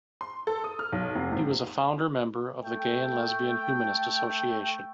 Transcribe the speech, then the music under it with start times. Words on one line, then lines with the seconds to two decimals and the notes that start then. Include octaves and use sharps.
He was a founder member of the Gay and Lesbian Humanist Association.
0.21 C6
0.47 A4
0.64 D#6
0.79 F6
0.92 B1
1.15 F1
1.32 G#1
2.63 A3 G5